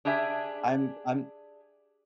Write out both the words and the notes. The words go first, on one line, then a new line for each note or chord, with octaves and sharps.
I'm I'm
D4 G4 G#4 E5 G#5